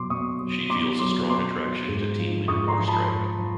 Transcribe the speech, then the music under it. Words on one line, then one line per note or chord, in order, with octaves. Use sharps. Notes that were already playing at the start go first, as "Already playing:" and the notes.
She feels a strong attraction to team leader Warstrike.
Already playing: B2 F#3 C6 D6
B2 C#6 D#6
F#3
B2 C6 D6
F#3 C6 D6
B2 C6 D6
F#3
G#2
F3
G#2 C#6 D#6
A#5 C6
F3
A5 B5
G#2
F3